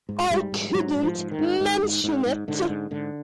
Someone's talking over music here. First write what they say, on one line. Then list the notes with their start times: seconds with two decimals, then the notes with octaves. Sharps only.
I couldn't mention it.
0.09 G#2
0.30 G#2 G3
0.52 G#2
0.70 G3
0.74 G#2 F#3
0.96 G#2
1.03 F3
1.18 G#2
1.32 D#3
1.39 G#2
1.60 G#2
1.83 G#2
2.04 G#2
2.26 G#2
2.48 G#2 D3
2.69 G#2
2.91 G#2 D3